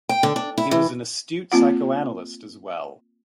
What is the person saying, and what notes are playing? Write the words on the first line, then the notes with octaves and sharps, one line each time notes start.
He was an astute psychoanalyst as well.
G5
D3
D4
E4
E3
A#3 C4 F4 F#5